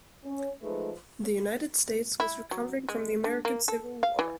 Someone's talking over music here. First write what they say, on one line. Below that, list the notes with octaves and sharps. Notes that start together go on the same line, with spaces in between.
The United States was recovering from the American Civil War.
C#4
F3 G#3 A3 D#4 B4
E4
F#3
G#3
D3
A#3
A4
F5
E3